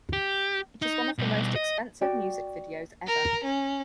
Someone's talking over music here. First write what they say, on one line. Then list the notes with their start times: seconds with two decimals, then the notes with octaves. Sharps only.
It is one of the most expensive music videos ever.
0.13 G4
0.82 D#4
1.18 B2 G3
1.56 D#5
2.01 F#4 D5 G5
3.07 A#4
3.44 C#4